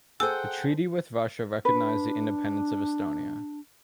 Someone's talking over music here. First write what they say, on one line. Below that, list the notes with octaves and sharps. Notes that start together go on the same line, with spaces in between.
The treaty with Russia recognized the independence of Estonia.
G#4 A4 C5 F#5 G5 E6
D4 B4